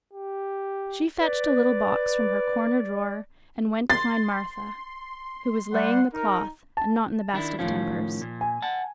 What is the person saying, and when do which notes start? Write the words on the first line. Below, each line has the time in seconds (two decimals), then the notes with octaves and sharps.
She fetched a little box from her corner drawer, and went to find Martha, who was laying the cloth and not in the best of tempers.
0.13 G4
1.20 B4 D5
3.90 C6 A6
5.74 G3 F#5
6.14 D#4 A#4
6.77 A5
7.33 D#3 D4 E4
7.59 A2 D#3 F3 C#4
8.22 A#2
8.41 G#5
8.62 F#5 A5